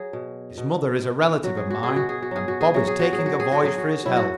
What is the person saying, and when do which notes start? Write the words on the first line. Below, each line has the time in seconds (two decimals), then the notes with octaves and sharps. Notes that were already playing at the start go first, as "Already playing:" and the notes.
His mother is a relative of mine, and Bob is taking a voyage for his health.
Already playing: F#3 G#4
0.13 B2
0.58 B2
1.01 B2
1.44 F#3 F#4
1.57 G#4
1.70 F#4
1.83 B2 G#4
1.96 F#4
2.09 G#4
2.22 F#4
2.31 F#3 G#4
2.48 F#4
2.61 G#4
2.74 F#3 F#4
2.88 G#4
2.99 F#4
3.13 G#4
3.18 F#3
3.26 F#4
3.40 G#4
3.52 F#4
3.62 F#3 G#4
3.78 F#4
4.05 F#3 E4
4.16 F#4